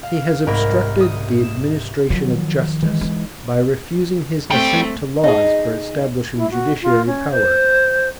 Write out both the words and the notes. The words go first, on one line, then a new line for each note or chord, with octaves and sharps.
He has obstructed the Administration of Justice, by refusing his Assent to Laws for establishing Judiciary Powers.
F5
C2 G#2 A#4 B5 F6
D#6
E7
D#3 F3 F#3
E3 G#3
D#4
G3 A3 C4 G5
D#4 G#4
E4
F#4
F4
C#4
C5